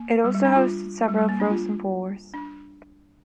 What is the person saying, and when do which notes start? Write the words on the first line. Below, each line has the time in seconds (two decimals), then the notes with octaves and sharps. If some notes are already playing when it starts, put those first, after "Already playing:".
It also hosted several Frozen Fours.
Already playing: A#3
0.24 G3
0.35 G3
0.45 D4
0.56 F4
1.08 G3
1.18 G3
1.29 A#3
1.40 D4
1.50 F4
2.34 D4